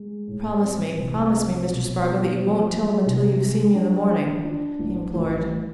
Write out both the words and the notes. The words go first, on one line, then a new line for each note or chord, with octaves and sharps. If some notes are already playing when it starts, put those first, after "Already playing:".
"Promise me--promise me, Mr. Spargo, that you won't tell him until you have seen me in the morning!" he implored.
Already playing: G#3
A2
C4
C2
C4
B2
B3
F3
G#3
C3
G#3
D4
D4
D4
A1
A1